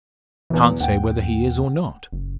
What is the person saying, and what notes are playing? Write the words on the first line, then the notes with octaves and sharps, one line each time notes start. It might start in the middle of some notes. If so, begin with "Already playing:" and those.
"Can't say whether he is, or not."
B1 E2 E3
D#2 F#5 G5
F#1